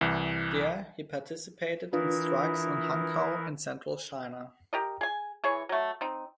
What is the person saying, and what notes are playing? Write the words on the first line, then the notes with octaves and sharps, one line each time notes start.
There he participated in strikes on Hankou in Central China.
C2 E3
E3 D4 E4 F4 A#4 B4 D#6
G4 A#4 D#5
G#4 G#5
E3 G#4 C#5
F#3 A3
C4 D#4